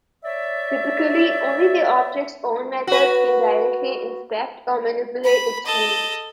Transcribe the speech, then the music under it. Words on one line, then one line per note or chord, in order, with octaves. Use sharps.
Typically, only the object's own methods can directly inspect or manipulate its fields.
C#5 D5 E5
F#4 B4
B5
A4 D#5